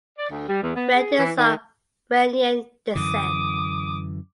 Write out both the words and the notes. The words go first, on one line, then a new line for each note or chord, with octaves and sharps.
Rad is of Iranian descent.
D5
D2
G3
E2
B3
G#4
E3
D#3
F#2 D3 E3 D6 D#6